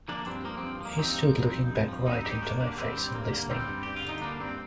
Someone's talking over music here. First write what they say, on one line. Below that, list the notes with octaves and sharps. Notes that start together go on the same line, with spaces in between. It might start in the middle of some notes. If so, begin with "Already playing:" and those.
He stood looking back right into my face and listening.
F3 A#3 D4
G2 C4
F3 A#3
C4
G2
F3 A#3
G2 C4 D#4
F3
G2
F3
G2
F3
G3 C4 D#4
G2 D#4 G4
G2 A#3 D4
D3 A#3 D4
G3 C4
G2 C4
G2 A#3
D3 A#3
G3 C4
G2
G2 G4
F4
D3
D#4
G3 A#3 D4
G2 C4